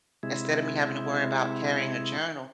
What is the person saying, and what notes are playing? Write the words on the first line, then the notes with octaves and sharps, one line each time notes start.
instead of me having to worry about carrying a journal,
C3 G#3 E4